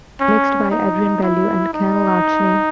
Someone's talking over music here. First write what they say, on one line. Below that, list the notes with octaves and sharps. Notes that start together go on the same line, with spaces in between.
Mixed by Adrian Belew and Ken Latchney.
C#4
D#4
E4
D#4